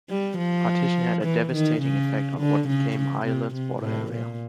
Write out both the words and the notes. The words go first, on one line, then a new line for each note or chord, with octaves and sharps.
Partition had a devastating effect on what became Ireland's border area.
G3
F3
E3
D#3
C#3
D3
C#3
C#3
C3
C3
A2
A#2